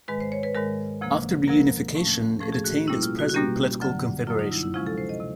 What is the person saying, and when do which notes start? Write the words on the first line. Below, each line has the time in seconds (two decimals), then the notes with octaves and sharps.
After reunification it attained its present political configuration.
0.08 G#2 D#3 G#3 B4
0.20 C5
0.32 C#5
0.43 B4
0.55 G#2 D#3 G#3 A#4
1.01 D2 C3 F3 A#3
1.47 D2 C3 F3 A#3 A#4
1.95 A2 F3 A3 C#4
2.41 A2 F3 A3 C#4 A4
2.52 G#4
2.64 F#4
2.87 B2 G3 A#3 C#4 E4
3.03 F4
3.19 F#4
3.29 F#4
3.34 B2 G3 A#3 C#4 G4
3.81 F#2 D3 F#3
4.27 F#2 D3 F#3 F4
4.39 D#4
4.52 E4
4.63 E4
4.74 D2 C3 F3 G#3 C#4 F4
4.86 A4
4.98 C5
5.09 D#5
5.20 C3